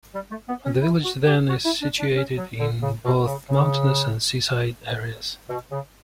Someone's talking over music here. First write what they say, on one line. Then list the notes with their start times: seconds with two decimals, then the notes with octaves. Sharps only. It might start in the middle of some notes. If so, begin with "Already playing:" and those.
The village, then, is situated in both mountainous and seaside areas.
0.14 G3
0.31 A3
0.48 B3
0.65 C#4
0.81 E4
1.03 F#4
1.26 G4
1.48 F#4
1.64 E4
1.81 D4
1.99 D4
2.15 C#4
2.37 F#3
2.60 D3
2.82 C#3
3.04 B2
3.27 C#3
3.49 C#3
5.49 B2
5.71 C#3